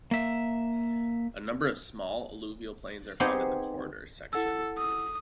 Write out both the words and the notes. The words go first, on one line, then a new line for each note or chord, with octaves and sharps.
A number of small alluvial plains are found in the corridor section.
A#3 E5
B3 C4 D#4 G4 G#4 C5
E4 A4 F#5 E6
D#6